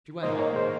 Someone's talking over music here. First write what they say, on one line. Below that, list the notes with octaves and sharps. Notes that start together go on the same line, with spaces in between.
She went on.
G#2 D#3 A#3 C5 D#5
A#4 C#5
G#4 C5